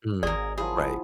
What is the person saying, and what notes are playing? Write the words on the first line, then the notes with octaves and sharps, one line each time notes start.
Mm, right.
G#1 G#4 A#4 D5
F3 F#3 E4 G#4